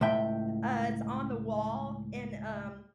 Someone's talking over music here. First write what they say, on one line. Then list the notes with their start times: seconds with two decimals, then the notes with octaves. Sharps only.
uh, it's on the wall and, um
0.01 C#2 A2 E5 G5